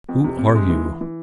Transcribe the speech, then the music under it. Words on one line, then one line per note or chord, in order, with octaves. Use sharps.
Who are you?
F2
C3
C3
G#3
E3
E3
E3